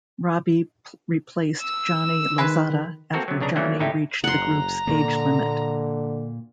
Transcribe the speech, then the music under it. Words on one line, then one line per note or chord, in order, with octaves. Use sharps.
Robi replaced Johnny Lozada after Johnny reached the group's age limit.
E6
D#3 G#3 B4
A#3 C4 F#4 A4 A#4
C3 F#3
B1 C#3 D4 A#5
E3 F#3 A3 A#3 C#4 D4
G#1 A2 D3 D#4 E4 G4
F#1 F#5 A#5 C6
A#2 D3 A#3